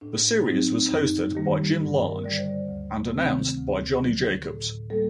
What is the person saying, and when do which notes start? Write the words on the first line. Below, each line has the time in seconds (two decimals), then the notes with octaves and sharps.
The series was hosted by Jim Lange and announced by Johnny Jacobs.
0.01 A2 D4
0.46 F#3 C4 D#4
0.90 F#2 D#4
1.34 D#3 G3 A#3 G4
1.80 G2
2.02 A#4
2.24 D3 G3 D5
2.38 C5
2.46 D5
2.69 D2
3.13 C3 D#3 A3 C4
3.58 D2
4.02 D3 F#3
4.46 A2
4.90 G3 A#3 A4